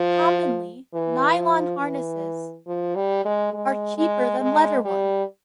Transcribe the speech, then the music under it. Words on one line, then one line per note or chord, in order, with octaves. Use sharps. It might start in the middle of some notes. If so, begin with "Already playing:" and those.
Commonly, nylon harnesses are cheaper than leather ones.
Already playing: F3
E3
F3
E3
F3
G3
G#3
G#3
G#3
G#3
G3